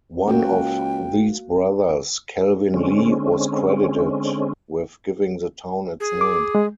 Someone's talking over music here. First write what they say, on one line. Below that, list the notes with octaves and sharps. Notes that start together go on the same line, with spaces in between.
One of these brothers, Calvin Lee, was credited with giving the town its name.
C#2 A#3 F#4 G5
D3 G#3 C4 C#4
G#4
D6
G#3